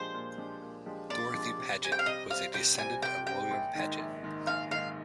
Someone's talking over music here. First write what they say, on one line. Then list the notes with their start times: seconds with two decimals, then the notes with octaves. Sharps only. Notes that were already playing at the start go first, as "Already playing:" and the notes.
Dorothy Paget was a descendant of William Paget.
Already playing: A#2 F3 G#3 D4 G4 C5
0.14 A#2
0.38 F3 G#3 D4 G4
0.62 A#2
0.86 F3 G#3 D4 G4
1.10 A#2 D5
1.34 F3 G#3 D4 G4
1.58 C3
1.82 G3 C4 G#5
1.92 G5
1.99 F5
2.06 C3 D#5
2.30 G3 C4 F5
2.54 C3 G5
2.78 G3 C4 G#5
3.02 C3 G5
3.27 G3 C4 G5
3.51 A#1
3.75 G#2 D#3
3.99 A#1
4.23 G#2 D#3
4.47 A#1 F5
4.71 G#2 D#3 F5